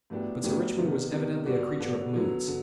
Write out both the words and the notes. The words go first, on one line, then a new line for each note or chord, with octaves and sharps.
But Sir Richmond was evidently a creature of moods.
A2 F#3 B3 D4 G4
A2 F#3 B3 D4 G4
C3 D#3 G3 B3
C3 D#3 G3 B3
D3 G3 B3 D4 F#4
D3 G3 B3 D4 F#4
D3 F#3 B3
D3